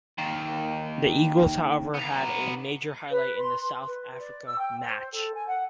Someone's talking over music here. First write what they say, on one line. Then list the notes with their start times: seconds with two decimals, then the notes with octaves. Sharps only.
The Eagles, however, had a major highlight in the South Africa match.
0.18 D#3 A#3
1.94 B3 A#5
3.11 B4
3.39 C6
3.87 B4
4.19 D5
4.46 E6
4.60 G5
4.81 C5
5.13 A4
5.35 G#5
5.47 F#5